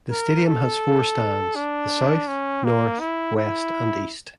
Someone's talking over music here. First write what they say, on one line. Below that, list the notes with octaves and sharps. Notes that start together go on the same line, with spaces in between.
The stadium has four stands: the south, north, west and east.
A#4
A4
D4
C#4
A#3
E4
E4